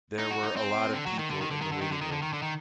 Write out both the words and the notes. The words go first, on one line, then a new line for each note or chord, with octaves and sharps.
There were a lot of people in the waiting room.
D#4
F#4
D#4
C4
D3
F#3
D#3
D3
D#3
D3
D#3
D3
D#3
D3
D#3
D3
D#3
D3
D#3